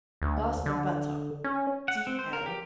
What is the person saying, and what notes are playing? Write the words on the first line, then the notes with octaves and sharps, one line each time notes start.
Pass the butter. T.l.
D2
D3
C#4
F#5
C4
C5
A#4
G4